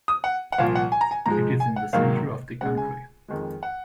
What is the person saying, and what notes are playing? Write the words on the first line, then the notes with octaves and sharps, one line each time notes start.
It is in the centre of the country.
D#6
F#5
F#5
C2 A#2 F3 F5
F#5
G#5
A#5
G#5
G#2 F3 G#3 A#5
G#5
F#5
G#2 D#3 F#3 A#3 F5
C#2 C#3 G#3 F#5
G#5
F2 D#3 G#3
F#5